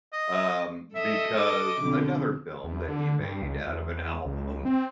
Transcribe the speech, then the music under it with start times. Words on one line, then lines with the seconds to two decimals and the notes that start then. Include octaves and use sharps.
um, because another film that he made out of an album
0.13 D#5
0.95 A4 D#5 E5
1.36 D6
1.80 F2 B2 D3
2.64 E2
2.88 D3
3.20 G2
3.42 C#2
3.67 E2
4.25 C#2
4.65 C4